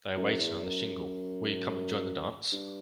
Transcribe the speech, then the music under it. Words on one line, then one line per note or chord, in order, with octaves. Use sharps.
They are waiting on the shingle—will you come and join the dance?
F#2
E2
F#2
G2